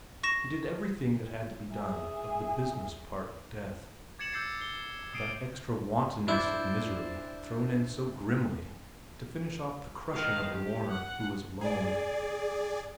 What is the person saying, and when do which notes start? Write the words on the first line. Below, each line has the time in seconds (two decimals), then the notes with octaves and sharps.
He did everything that had to be done of the business part of death--that extra wantonness of misery thrown in so grimly to finish off the crushing of a mourner who is alone.
0.23 C#6 A#6 E7
1.74 G#4 E5
4.19 D6 G#6 A6 C#7 E7 F#7
4.33 D6 E6 G6 A6 C7 C#7
4.60 C7 G7
5.13 D6 D#6 C7 D7 D#7
6.28 D4 E4 C5 D5
10.14 D#3 F5
10.51 G4
10.90 F#5
11.61 G#4 D5